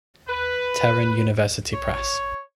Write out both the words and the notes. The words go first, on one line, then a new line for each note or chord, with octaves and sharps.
Tehran University Press.
B4
C#5